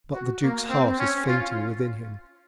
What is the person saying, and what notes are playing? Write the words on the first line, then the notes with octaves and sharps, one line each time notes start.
But the Duc's heart is fainting within him.
F#4
A#3
C4
C#4
F4